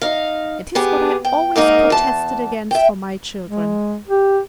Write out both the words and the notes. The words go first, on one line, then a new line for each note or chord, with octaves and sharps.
It is what I always protested against for my children.
D#4 F5
B3 G4 G#4
G5
G#2 A#3 D#4 A#4
E2 A5
E5 G5
G#3
G4